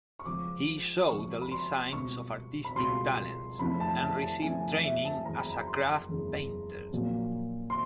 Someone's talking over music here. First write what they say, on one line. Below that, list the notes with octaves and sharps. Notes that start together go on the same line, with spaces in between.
He showed early signs of artistic talent, and received training as a craft painter.
C#6
C#2 C#3 F3 D6
C#2 C#3 F3 C#6
B5
C6
C#2 B2 G3 C#6
B5
C#2 B2 G3 C6
F2 C#3 E3 A3 B5
A5
A5
A5
F2 C#3 E3 A3 G#5
E5
A5
F#1 E2 C#3 E3 G#3 A#5
B5
A#5
C6
F#1 E2 C#3 E3 G#3
A#1 A#2 F#3 A#3
C6